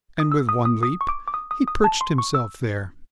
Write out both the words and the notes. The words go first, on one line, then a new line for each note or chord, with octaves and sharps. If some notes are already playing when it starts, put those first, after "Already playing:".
And with one leap, he perched himself there.
D#6
E6
D#6
D#6
D#6
C#6
D6
D6
D#6
D#6
D#6
A5
C6
C#6
E6